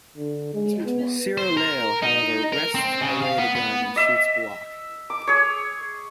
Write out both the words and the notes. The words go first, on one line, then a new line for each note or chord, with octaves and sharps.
Siroleo, however, wrests away the gun and shoots Block.
D3
G#3
B3
C5
A#4
D#4
A#4
C4
C#3
F5
B3
B3
D#5 E5
D6
G#4 C#5